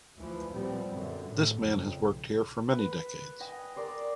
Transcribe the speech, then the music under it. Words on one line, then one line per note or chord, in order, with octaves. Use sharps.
This man has worked here for many decades.
D2 E3 F3
A#2 F3 G3 B3 C4
F#2 D3
A2
F2 C#3
B1
B4
D#5 G5 G#5 D#6
A#4 D5 C6